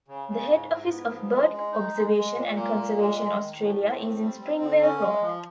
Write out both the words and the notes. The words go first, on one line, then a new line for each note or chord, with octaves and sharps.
The head office of Bird Observation and Conservation Australia is in Springvale Road.
C#3
C#3
G#2
G#2
B3
F3
G#3
G#3
D#4
G#3
G#3
A#2
A#3
A#2
G#3
G#3
D#3
A2
A2
C4
G3
C4
D3
C#4
G#3
F3